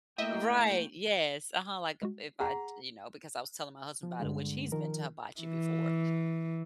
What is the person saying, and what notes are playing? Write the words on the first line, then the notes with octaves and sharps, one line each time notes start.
right. Yes. Uh-huh. Like, if I, you know, because I was telling my husband about it, which he's been to hibachi before,
A2 A#3 D#5 E5 G5
G3 G#3 F#4
G#4 F#5 A#5
F3
G2 D3 G#3
D#3 F3 A#4
E3